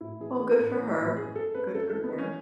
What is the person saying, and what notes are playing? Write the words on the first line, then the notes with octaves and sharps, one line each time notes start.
Well, good for her. Good for her.
A2 E4
E3 G#4
E3 G#4
A2 B3
C#4
E3
D#4
A2 E4
F#2 G#4
F#2 A4
F#2 B4
F#2 A4
E3 A4
B3
E3
C#4